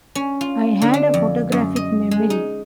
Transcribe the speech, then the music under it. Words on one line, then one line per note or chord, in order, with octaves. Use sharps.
I had a photographic memory.
C#4
F4
D3
D4
F2
F#2
D#5
G#3
D#4